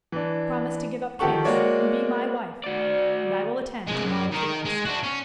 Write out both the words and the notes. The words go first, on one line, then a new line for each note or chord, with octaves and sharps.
Promise to give up Case, and be my wife, and I will attend to all of the rest.
E3 D4
D#3 F3 G4 A4 F#5 C#6
G#3 A#3 F#4 C#5 D5
F#4 D5
C2 G#3
F#2
D#3 A#4
G#3
D4 F#4
C#4